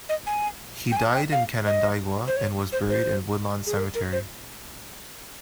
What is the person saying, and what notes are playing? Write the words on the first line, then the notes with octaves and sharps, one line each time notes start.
He died in Canandaigua and was buried at Woodlawn Cemetery.
D#5
G#5
G5
G#5
G5
F5
D#5
C5
C#5
C5
C5
G#4
A#4
A#4
C5